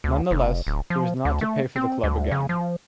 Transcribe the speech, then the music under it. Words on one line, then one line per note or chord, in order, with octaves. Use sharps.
Nonetheless, he was not to play for the club again.
D2
F1
D1
F3
D2
A3
C4
D2
C#3
F3